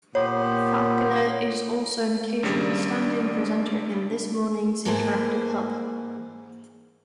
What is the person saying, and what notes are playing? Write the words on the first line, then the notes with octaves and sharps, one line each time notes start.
Falconer is also an occasional stand-in presenter in "This Morning's" interactive "hub".
A#2 B3 G4 C5 C#5
G#1 C#3 G3 D4
G#2 E3 A#3 G#4 C5 A5